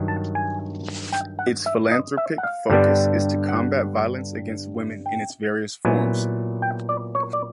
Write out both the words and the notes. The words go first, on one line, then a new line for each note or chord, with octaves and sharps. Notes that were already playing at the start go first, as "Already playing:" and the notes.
Its philanthropic focus is to combat violence against women in its various forms.
Already playing: G2 D#3 F#3
A5
G#5
G5
F#5
E5
D#5
E5
F#5
F5
G2 D3 G3 B3 D4
F#5
G5
A#2 F#3 B3 E4 G#5
G5
D5
C#5
D5